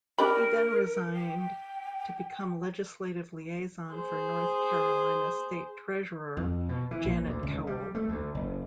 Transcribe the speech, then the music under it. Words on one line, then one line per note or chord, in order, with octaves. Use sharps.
He then resigned to become legislative liaison for North Carolina State Treasurer Janet Cowell.
D4 G4 A#4 B5
G5
G#4 C5
F2
B2
E3
A#1
D2
C#2
G3
A3
D2
F#1